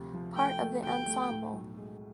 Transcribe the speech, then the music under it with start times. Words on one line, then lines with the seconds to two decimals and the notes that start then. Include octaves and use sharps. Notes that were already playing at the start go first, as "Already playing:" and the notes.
Part of the ensemble.
Already playing: D2 C3 F3
0.13 F3
0.36 A3 G5
0.61 A3
0.83 D2 G5
1.07 A3
1.31 A2
1.53 B1
1.77 G#3